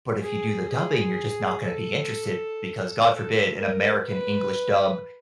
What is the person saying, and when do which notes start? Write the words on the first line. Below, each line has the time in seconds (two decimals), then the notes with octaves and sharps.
But if you do the dubbing, you're just not gonna be interested because, God forbid, an American English dub
0.21 G#4
0.69 G#4
1.65 A4
3.09 A4
3.57 A#4
4.05 B4